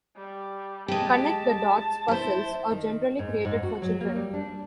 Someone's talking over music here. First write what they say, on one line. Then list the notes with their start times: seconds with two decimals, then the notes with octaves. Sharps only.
Connect the dots puzzles are generally created for children.
0.16 G3
0.88 G#3 G4 A5
2.08 E4 C5
2.71 D#3
3.19 G#2
3.45 G#2
3.63 F#4
3.82 F#3
4.01 A#3
4.15 G3
4.34 D4